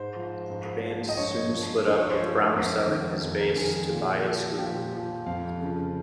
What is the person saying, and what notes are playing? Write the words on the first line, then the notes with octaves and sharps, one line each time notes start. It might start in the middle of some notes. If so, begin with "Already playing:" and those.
The band soon split up, with Brown selling his bass to buy a scooter.
Already playing: G#2 C5
F3
G#2
F3
D#5
G2 C#5
F3
G2 C5
C#5
C5
F3
F2 A#4
D#3
F2
A#4
D#3 G#4
A#2
F3
A#2 G4
F3
F2 F5
C#3 F3